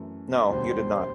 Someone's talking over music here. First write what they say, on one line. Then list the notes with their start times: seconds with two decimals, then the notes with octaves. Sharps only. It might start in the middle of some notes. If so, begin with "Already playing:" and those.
No, you did not.
Already playing: F#2 E3 A3
0.50 E1 D2 D3 G3 C5